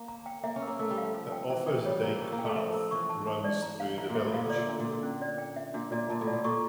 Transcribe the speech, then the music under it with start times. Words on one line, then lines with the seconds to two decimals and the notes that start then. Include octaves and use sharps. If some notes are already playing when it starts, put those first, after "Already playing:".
The Offa's Dyke Path runs through the village.
Already playing: A#3
0.08 A#5
0.26 G5
0.43 A#3 E5
0.56 C#4
0.62 A#4
0.67 A#3
0.79 A3 A#4
0.90 G3
0.98 F5
1.03 F3
1.14 A4
1.32 G5
1.50 E3 A#5
1.67 E3 G5
1.85 G3 C#5
2.03 A#3 A#4
2.20 C#4 A#4
2.32 A#3
2.39 G5
2.45 A3
2.55 F3 E5
2.74 A#4
2.91 E3 C#6
3.09 A5
3.27 A5
3.44 D5
3.62 A#5
3.80 F5
3.98 E3 A#5
4.09 A#2
4.15 E5
4.21 A2
4.33 A#2 F5
4.44 D3
4.50 D5
4.57 A#2
4.68 D4
4.80 A#2
4.85 A4
4.92 A#2
5.03 C#4
5.22 D5
5.38 G5
5.56 E5
5.74 A#2 D4
5.91 A#2 D5
6.10 A#2 A5
6.21 A2
6.27 D5
6.33 A#2
6.44 A#2 C#6